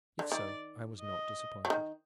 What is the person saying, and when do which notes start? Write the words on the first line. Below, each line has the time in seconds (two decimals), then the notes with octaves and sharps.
If so, I was not disappointed.
0.19 D3
0.31 D#3 D5
1.01 D#5
1.65 F#3
1.70 D#3